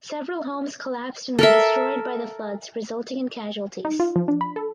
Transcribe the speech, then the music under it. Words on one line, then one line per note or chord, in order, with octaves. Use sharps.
Several homes collapsed and were destroyed by the floods resulting in casualties.
A4 A#4 E5
D#4
F4
F3
D4
B5
A4